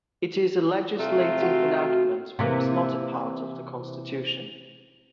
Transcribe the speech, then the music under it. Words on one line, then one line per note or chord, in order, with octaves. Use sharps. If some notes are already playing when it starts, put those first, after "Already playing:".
It is a legislative enactment but is not a part of the Constitution.
C3 A3 F4
F#4
C3 E3 A#3